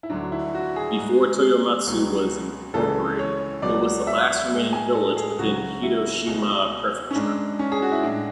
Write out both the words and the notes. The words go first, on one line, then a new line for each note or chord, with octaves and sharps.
Before Toyomatsu was incorporated, it was the last remaining village within Hiroshima Prefecture.
E4
D2 D3 F#3 D4
E4
F#4
G#4
G#2 G#3
C#2 B2 F#3
C#2 C#3 E3 G#3 A4
C#5
C#2 B2 F#3 D5
E5
A2
G#3
G#5
A4
G#4
C#2 C#3 F#3 F#4
E4
C#2 B2 G#3
C#4
G#2 G#3 D4
C#4
G#4
F#4
E4
A2 G#3 D4